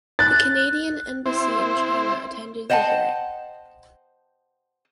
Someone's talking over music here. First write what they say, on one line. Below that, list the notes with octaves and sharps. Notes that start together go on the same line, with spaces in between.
The Canadian Embassy in China attended the hearing.
F#6 A6
C4 E4 C5
C5 D#5 F#5 G5 A5